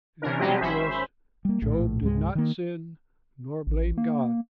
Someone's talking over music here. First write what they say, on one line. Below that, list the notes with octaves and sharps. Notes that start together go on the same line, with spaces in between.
In all this Job did not sin nor blame God.
C3 E3 C#4 D4 A#4
B2 F#3 G#3 C4 G4 D#5
G#1 C#4 C5 E5 B5
G3 A#3
A#1 A2
C#2 G#2 G#3
D#3 A#3
A1
A#3